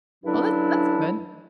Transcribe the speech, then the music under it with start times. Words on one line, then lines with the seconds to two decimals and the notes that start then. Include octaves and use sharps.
Well, that that's good.
0.24 G2 D3 F#3 C#4 D4 E4